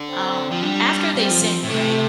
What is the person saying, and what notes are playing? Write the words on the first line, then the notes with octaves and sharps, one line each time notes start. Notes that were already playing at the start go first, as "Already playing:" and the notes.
um, after they sinned, right?
Already playing: D3
C4
F3
G3 D4
G3 C4
F3
F3
A2
C3 A3